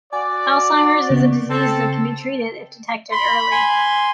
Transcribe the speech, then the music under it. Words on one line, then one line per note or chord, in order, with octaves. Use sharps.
Alzheimer's is a disease that can be treated if detected early.
F#4 D5 G#5
C#3 B3
C4 A4
B5 C6
G#5 C6